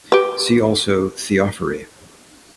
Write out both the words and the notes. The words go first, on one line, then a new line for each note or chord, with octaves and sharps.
See also Theophory.
G4 B4